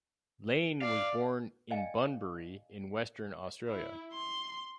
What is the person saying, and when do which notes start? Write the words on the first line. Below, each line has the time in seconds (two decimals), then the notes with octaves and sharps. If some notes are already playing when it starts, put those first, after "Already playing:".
Lane was born in Bunbury in Western Australia.
0.82 D5 F5
1.71 D5 D#5 F5 G5 G#5
3.68 E4
4.14 C6